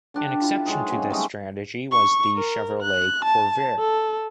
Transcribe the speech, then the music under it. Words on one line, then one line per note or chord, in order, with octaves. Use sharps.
An exception to this strategy was the Chevrolet Corvair.
D3 D4 G4
E4 F4
F#3 G#3 D#4
C#3 F#3 G#3 C4
G3 A3 D#5 E5
C#6
A#4
F#6
A5
A4